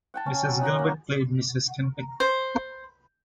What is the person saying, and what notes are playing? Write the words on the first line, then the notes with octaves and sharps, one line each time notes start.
Mrs. Gilbert played Mrs. Kinpeck.
F#5 G5 A5
C#4
F#3
D#4 F#5 A#5
A#3
C5